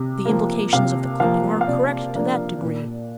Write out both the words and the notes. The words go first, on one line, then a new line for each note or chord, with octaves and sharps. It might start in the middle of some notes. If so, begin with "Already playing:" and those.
The implications of the clipping are correct to that degree.
Already playing: C3
F3 A#3
C3 F5
F3 A#3 F5
F5
C3 D5
F3 A#3 D4
A#2